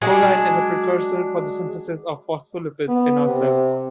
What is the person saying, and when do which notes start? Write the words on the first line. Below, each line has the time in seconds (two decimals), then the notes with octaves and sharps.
Choline is a precursor for the synthesis of phospholipids in our cells.
0.01 F#3 G#3 D4 G#4
2.88 B3
3.27 C3